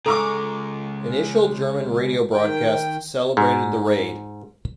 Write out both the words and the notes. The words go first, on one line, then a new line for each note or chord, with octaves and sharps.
Initial German radio broadcasts celebrated the raid.
C#3 G#3 A4 A#5 C#6 D6
D#3 G5
G#2